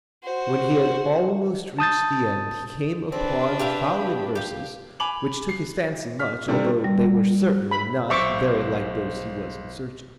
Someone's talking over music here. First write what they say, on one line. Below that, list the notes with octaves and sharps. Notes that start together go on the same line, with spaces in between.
When he had almost reached the end, he came upon the following verses, which took his fancy much, although they were certainly not very like those he was in search of.
F#4 C5
A5 D#6 G6 A6
C4 D4 B4
G4 E5 F5
G4 F5
G#5 B5 D6 F7 F#7
C7
F6 B6
C3 D#3 G3 A3 D4
G3
B5
B1 C5 E5 C#6 D6